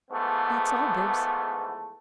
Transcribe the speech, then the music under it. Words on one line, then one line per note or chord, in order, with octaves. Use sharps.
That's all, Bibbs.
E2 G#2 F3 A3 B3